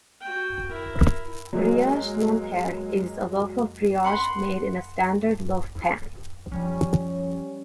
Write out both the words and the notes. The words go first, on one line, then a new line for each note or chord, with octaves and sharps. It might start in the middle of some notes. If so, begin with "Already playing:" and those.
"Brioche Nanterre" is a loaf of brioche made in a standard loaf pan.
F#4 G5
E4 A#4
F#3 G#3 A#3
F#5 B5 C6
F3 G3 C#4